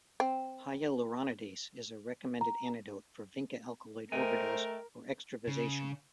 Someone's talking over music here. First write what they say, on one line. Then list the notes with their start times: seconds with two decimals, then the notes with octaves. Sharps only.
Hyaluronidase is a recommended antidote for vinca alkaloid ovderose or extravasation.
0.20 C4
2.41 A#5
4.12 A3 A#4 C5 D#5 G5 G#5
5.47 C#3